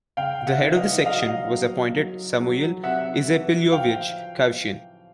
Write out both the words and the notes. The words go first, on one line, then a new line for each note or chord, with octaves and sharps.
The head of the section was appointed Samuyil Izepilyovych Khavchyn.
C#3 F5 G5
E5 F#5
E3
D#5 F5
F#3 D#5 F5
F#3
F#3
F#3
C3 E5 F#5
E3
F3 F5 G5